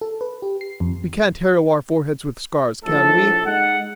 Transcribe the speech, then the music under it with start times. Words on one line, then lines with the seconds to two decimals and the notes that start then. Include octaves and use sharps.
We can't harrow our foreheads with scars, can we?
0.01 A4
0.21 B4
0.42 G4
0.61 C7
0.80 F2
2.85 A#1 A2 A4
3.46 G#3 D#4 F#5